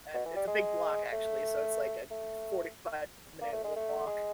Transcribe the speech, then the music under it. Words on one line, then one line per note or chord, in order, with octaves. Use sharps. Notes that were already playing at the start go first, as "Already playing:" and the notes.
uh, it's a big block, actually, so, it's like a forty-five-minute walk.
B2
E3
G3
G#3
A3
A3
A#3
A3
G#3
A3
G#3